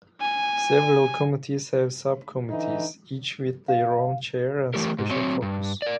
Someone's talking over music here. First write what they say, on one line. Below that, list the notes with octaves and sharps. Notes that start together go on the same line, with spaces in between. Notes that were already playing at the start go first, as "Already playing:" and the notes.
Several committees have subcommittees, each with their own chair and special focus.
G#5
D3 E3 D#4 E4
F5
E3 A3 G4 A#4
G#2
F#3 C4 C#5
G2
A#4 D5